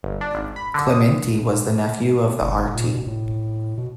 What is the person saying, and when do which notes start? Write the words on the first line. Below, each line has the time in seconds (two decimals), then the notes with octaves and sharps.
Clementi was the nephew of the Rt.
0.03 G1
0.21 D4
0.35 G#1
0.56 B5
0.74 D3
0.90 D#6
2.41 G1
2.75 A#2
2.94 B2
3.07 A2
3.78 B2